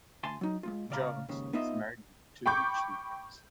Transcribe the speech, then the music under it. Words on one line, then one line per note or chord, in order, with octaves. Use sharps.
Jones is married with two children.
D2 G#5 A5 C6
F#3 D#4
G#3 A3 F4
C#2 C#3 D5 F5 A#5 B5
D#2 G#2 C#3
B3 D#4 F4 D#5 E5
G5 B5 C#6 D6 G6